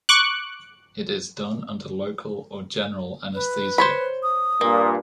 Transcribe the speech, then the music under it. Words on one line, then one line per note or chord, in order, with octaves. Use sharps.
It is done under local or general anesthesia.
C#6 D6 F#6
B4
C5 C#5 B5
D#6
G2 A#2 A#3